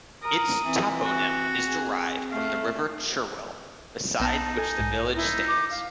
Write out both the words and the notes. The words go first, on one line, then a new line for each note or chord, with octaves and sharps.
Its toponym is derived from the River Cherwell beside which the village stands.
A#4 D#6
E3 C4
F#4
G#4
A3 F5
B1 B3 D#4 A5 E7
A4 G#5
B1 G#2
D#4 E4
D6
F5